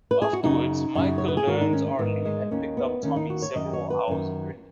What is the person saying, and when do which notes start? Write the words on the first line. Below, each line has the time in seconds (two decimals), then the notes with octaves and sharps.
Afterwards, Michael learns Arlene had picked up Tommy several hours earlier.
0.11 B4
0.22 G#4
0.33 F#4
0.43 F#2 C#3 D#4
0.95 F#2 C#3
1.18 C#5
1.28 B4
1.37 G#4
1.47 G#2 D#3 F#4
1.61 D#4
1.73 C#4
1.87 C#4
1.99 G#2 D#3 B3
2.25 G#3
2.51 D#2 D#3 C#4
2.77 B3
3.03 D#2 D#3 C#4
3.16 D#4
3.30 F#4
3.42 C#5
3.55 F#2 D#3 D#5
3.73 C#5
3.90 B4
4.08 F#2 D#3